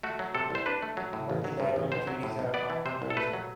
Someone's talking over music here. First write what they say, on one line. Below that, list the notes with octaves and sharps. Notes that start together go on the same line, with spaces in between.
Multilateral treaties are often regional.
A3 F#4
F#3
C3 A4
C2 C5
D4 B4
A3
F#3
A2
A1
F#3
G2
A1
B1 C5
F#3
A2
B1
B3 D5
E3
C3 C5
C2
A4
A3 B4
F#3